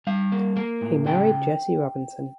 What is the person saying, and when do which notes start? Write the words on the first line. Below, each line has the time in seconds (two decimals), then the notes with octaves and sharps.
He married Jessie Robinson.
0.07 G3 F5
0.32 A#3
0.57 A#3
0.81 A2
1.06 C#3 G5